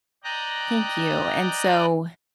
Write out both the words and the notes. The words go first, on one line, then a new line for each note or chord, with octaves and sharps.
Thank you. And so,
D5 D#5 G5 A#5 F#6